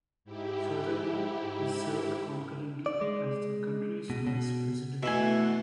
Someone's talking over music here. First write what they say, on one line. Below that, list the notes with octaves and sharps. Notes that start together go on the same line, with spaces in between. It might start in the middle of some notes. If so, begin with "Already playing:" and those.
Furthermore, he served concurrently as the country's vice president.
G#2 E4 G4
D5
G#3
B2
B2
B2 E3 A3 E5 F#5 G#5